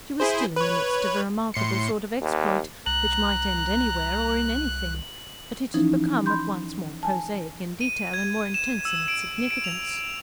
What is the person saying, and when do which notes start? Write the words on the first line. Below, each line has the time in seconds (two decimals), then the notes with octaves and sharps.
She was still in the midst of a remarkable sort of exploit, which might end anywhere or in anything, but it had become at once more prosaic in detail and more intense in its significance.
0.20 E4 G#4 C5
0.56 B4 C#5
1.54 A2 C6 C#7
2.21 D#2
2.86 C2 A#5 F#6 F#7
5.74 E3 F3 C#4 D#4 E4
6.26 B5 C6 G6
7.03 G#5 A5
7.81 D#7
8.14 G#6
8.54 E7
8.85 E6
9.08 D7
9.50 D7
9.64 F7